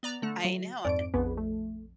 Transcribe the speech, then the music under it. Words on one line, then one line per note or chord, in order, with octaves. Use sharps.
I know an
B3 D5 A#5
D3 A3
F#3
F2 G#2 D5 D7
A#1 F2 B3 G#4 B4
A3